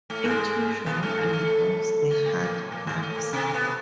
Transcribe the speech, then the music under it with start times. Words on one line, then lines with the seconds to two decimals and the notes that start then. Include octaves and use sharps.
It usually involves the heart valves.
0.10 A2 A3
0.25 G#2 G#3
0.86 B2 B3
1.02 A2 A3
1.17 G#2 G#3
1.33 A2 A3
2.10 A2 A3
2.26 A#2 A#3
2.40 A#2 A#3
2.56 A2 A3
2.72 A#2 A#3
2.87 G#2 G#3
3.02 A2 A3
3.18 A#2 A#3
3.33 C3 C4
3.54 B2 B3